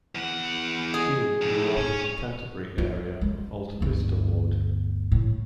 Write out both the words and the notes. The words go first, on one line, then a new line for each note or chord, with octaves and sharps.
Hume grew up in the Canterbury area of Alta Vista Ward.
E2 F#5
G#4
F2 G#2
C#5 G#5
F4
G#3
G1 D2
A2